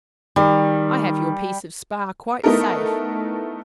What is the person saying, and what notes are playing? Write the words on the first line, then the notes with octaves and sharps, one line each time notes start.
I have your piece of spar quite safe.
D#3 G3
A3 B3 D#4 E4 A4 A#4